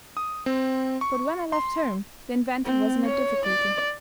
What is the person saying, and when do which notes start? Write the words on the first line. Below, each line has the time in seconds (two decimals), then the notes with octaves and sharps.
'But when I left home the inventor was in a difficulty.
0.17 D#6
0.46 C4
1.01 C#6
1.52 C6
2.66 C4
3.05 C#5
3.46 D5